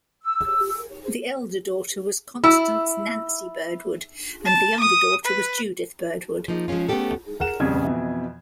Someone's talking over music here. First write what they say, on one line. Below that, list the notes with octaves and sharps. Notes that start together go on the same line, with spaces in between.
The elder daughter was Constance 'Nancy' Birdwood, and the younger daughter was Judith Birdwood.
E6
E4 E6
A5
D#6
B4
F3 A#3 D#4
F3 G#3 A3 C#4 F4
A3 B3 C#4 D4 G4 A4
A#4 F#5 E7
D#1 F2 C#3 G3 G#6
F2 B2 E3